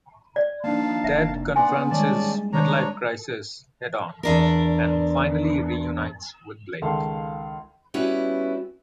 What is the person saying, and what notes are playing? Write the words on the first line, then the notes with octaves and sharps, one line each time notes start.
Ted confronts his midlife crisis head-on and finally reunites with Blake.
D5
F3 A#3 D4 D#4 F5 A5
F1 E5
B3 D5 F#5 G#5 C6
D#3 G3 G#3 C#4 D5 A5
D#3 D4 C#5 A#5
E2 D4 A#4
C#2 D#3 A4 F5 C6
G3 B3 C#4 E4 F#4